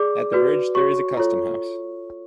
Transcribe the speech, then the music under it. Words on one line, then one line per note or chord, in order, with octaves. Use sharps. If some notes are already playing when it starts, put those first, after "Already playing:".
At the bridge there is a Custom House.
Already playing: G#4 D5 D6
F#4 B4 D5
F#4 C#5 C#6
F4 A4 C#5